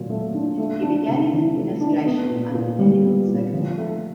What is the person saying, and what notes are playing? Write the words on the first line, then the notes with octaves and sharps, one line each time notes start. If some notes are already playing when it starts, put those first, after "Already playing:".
He began his administration under difficult circumstances.
Already playing: A#2 F#3
A3
D4
A3
D4
C3
E3
A3
D4
B3
A#2
A#2
G3
B3
A#2
F3
A3